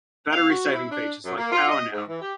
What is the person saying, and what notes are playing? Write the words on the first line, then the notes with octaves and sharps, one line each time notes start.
Battery saving features, like PowerNow!
F5
F#4
E4
D4
F#2
A#3
F4
D#5
G#2
E3
G4